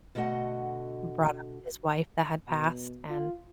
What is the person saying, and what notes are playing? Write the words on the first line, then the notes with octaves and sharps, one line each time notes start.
brought up his wife that had passed, and,
B2 D3 A3 F#4 D#5 F#5
B2
F4